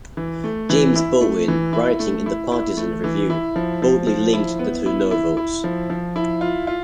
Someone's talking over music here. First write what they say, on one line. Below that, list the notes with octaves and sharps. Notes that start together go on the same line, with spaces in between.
James Baldwin, writing in the "Partisan Review", boldly linked the two novels.
E3
A3
E3
E4
A3
E3
E4
A3
E4
E4
A3
E3
E4
F3
F3
F3
E4
B3
E4
E4
E4
F3
F3
E4
F4
F4